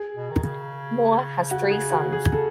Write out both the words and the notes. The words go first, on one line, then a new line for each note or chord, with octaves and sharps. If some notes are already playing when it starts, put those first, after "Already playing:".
Moore has three sons.
Already playing: G#4
B2
D#3
C#3
F#4
G#4
F#4
G#4
C#3 A4